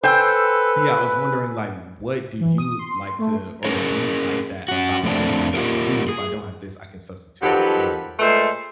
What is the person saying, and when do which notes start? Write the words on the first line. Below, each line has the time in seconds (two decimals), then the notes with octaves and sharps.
Yeah, I was wondering, like, what do you like to or do you like that about cooking? Like, "Ooh, if I don't have this, I can substitute it in,
0.04 A4 B4 C5 G5 G#5 E6
2.40 E3
2.58 D#6
2.79 C6
3.19 A3
3.65 C#4 G#4 A#4 C#5
4.68 C#4 F#4
5.03 F2 A3 A#3 C4 D4
5.54 A#3 F4 G4 A#4
6.09 G#4
7.42 D#3 F3 F#3 G4 A4 B4
8.19 A#2 G#3 A3 B4 C5 A5